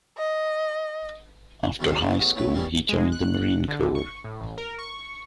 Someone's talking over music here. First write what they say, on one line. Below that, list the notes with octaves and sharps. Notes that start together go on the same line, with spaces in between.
After high school, he joined the Marine Corps.
D#5
E2 G#2 B2 D#3 F#3
G#2 C#3
A1 E2 F#5
A2 F#3 B4
G#2 B2 E3 G3 A#3 C4
G#3
F#6
D3
C#6
A2
A1
A#4
C#6